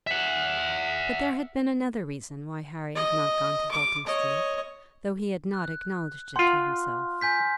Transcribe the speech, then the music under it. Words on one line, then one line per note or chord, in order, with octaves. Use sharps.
But there had been another reason why Harry had not gone to Bolton Street, though he had not acknowledged it to himself.
E5 F#5
D#5
D6
C#5 D#5
F#6
F4 F#5 C6 F6
G#5 G6 B6